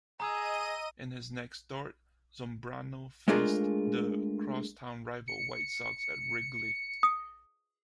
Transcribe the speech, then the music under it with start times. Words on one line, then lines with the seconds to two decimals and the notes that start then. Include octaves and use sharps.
In his next start, Zambrano faced the cross-town rival White Sox at Wrigley.
0.20 G#4 D#5 A#5 D#6 E6 D#7
3.28 G#3 A3 D4 F4 G#4 A#4
5.28 C#7
7.03 D#6